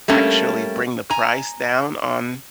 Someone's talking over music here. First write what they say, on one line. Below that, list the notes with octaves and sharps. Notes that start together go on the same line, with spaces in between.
actually bring the price down on
G3 A3 A#3 C#4
G#5 A#5